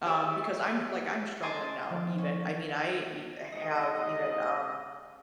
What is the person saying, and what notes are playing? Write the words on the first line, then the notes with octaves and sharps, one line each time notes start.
Um, because I'm like, I'm struggling now even. I mean, I h have even, um,
G4 G#4 C#5 D5 E5 G#5
D5 D#5 G#5 A5 C6 D6
F3
C#4
G#2 C3 D#5